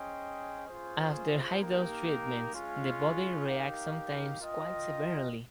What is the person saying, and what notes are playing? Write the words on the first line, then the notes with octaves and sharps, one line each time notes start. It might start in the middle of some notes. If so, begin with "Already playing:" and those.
After high-dose treatments, the body reacts, sometimes quite severely.
Already playing: C#4 G#4 C5 D#5 G5
C#4 F4 G#4 C5
A#3 D#4 G4 A#4
G#3 C#4 F4
D#4 G4 A#4 F5
F4 A#4 D#5 G5